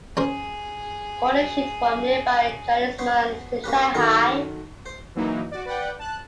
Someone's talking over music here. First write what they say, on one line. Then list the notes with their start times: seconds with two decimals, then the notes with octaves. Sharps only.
Coal is shipped from nearby Chinese mines to Shanghai.
0.17 C#4 G#4 A#4 C5
2.99 B3 C5 C#5
3.64 A#3 C#4 G4 B4
3.95 D#3 F#3 A4 A#4
4.86 C5
5.15 E3 F#3 A#3 D#4 E4
5.51 F#4 D5
5.65 B4 D5 F#5 G5
5.99 A5 F#6